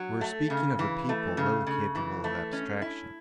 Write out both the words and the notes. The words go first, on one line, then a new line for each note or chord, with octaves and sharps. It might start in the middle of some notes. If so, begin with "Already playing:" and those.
We are speaking of a people little capable of abstraction.
Already playing: F#3
A3
C#3
E3
A3
C#3
C#3
E3
A3
C#4
E4